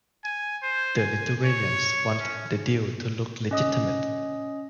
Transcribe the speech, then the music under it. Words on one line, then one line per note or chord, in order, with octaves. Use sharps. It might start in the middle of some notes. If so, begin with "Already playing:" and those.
The Lithuanians wanted the deal to look legitimate.
G#5
C5
G#5
C#5
C#4
C#4 D#5 D#6